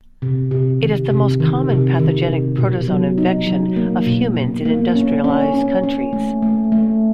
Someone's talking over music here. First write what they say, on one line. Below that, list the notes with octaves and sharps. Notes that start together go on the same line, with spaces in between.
It is the most common pathogenic protozoan infection of humans in industrialized countries.
C3
C3
D#3
C3
D#3
C3
D#3
C3
B2
F#3
D#4
F#3
A#3
B2
B2
A#3
C#4
C#4
C#4
C#4
A3
A3
A3